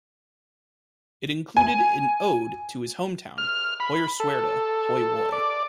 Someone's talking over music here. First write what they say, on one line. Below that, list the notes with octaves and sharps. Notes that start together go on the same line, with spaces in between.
It included an ode to his hometown, Hoyerswerda, Hoy Woy.
G#5
F6
B5
A4
D5